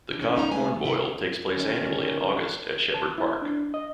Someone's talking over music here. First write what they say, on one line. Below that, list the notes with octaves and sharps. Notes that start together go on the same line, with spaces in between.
The Cobb Corn Boil takes place annually in August at Shepherd Park.
E3 D4
C#4
C4 C#4 D#4 C5 A#5
G#3 A3 B4 C5 F5 G#5
A3
C3 E4 A4 D#5
D3 D#3 C#4
A5
E4
D4
D#5